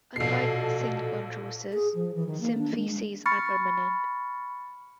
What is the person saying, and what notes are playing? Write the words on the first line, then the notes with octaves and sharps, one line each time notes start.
Unlike synchondroses, symphyses are permanent.
A#1 B2 A4 C7
G#4
F3
E3
D#3
A#3
D4
G#3
B5 C#6 F6 A6 C#7